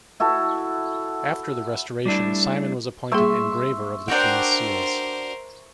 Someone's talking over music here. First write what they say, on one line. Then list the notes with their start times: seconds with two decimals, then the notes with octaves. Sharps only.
After the Restoration Simon was appointed engraver of the king's seals.
0.20 E4 F#4 A4
2.06 G3 A3 D4 E4
3.12 G3 A#3 G#4 E5 C6 C#6
4.08 D4 F#4 A#4 C5 G5